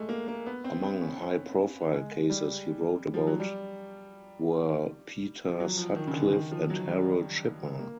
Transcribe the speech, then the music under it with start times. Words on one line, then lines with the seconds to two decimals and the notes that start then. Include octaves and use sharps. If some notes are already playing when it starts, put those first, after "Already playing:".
Among high profile cases he wrote about were Peter Sutcliffe and Harold Shipman.
Already playing: G#3 A3
0.09 A#3
0.28 A#3
0.46 B3
0.64 C4
0.83 C4
1.01 C#4
1.11 C4
1.22 C#4
1.92 G#3
2.30 G3
3.14 F3
3.27 F#3
3.40 G3
5.50 F3
5.60 F#3
5.78 F3
5.96 D#3
6.07 C#3
6.15 D3
6.33 D#3
6.51 F3
6.70 F#3
6.88 G3
7.79 A#3